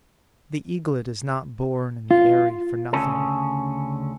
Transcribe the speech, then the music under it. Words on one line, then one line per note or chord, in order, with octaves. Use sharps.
The eaglet is not born in the eyrie for nothing.
F4
D2 C#3 C#4 A4